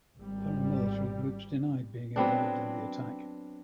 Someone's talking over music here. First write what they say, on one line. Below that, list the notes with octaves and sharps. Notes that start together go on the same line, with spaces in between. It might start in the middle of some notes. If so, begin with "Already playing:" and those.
Paramilitary groups denied being involved in the attack.
G#1 G3
F#3 B3 C4 D4